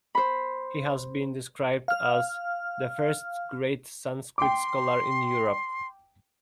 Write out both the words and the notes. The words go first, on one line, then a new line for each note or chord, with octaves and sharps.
He has been described as "the first great Sanskrit scholar in Europe".
C5 B5
F5 F6
G5 C6 D6